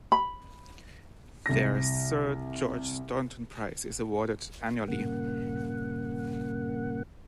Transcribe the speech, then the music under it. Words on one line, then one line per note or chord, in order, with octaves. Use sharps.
Their Sir George Staunton prize is awarded annually.
B5
C2 A#6
G2 A#2 C#3 A#3 F#5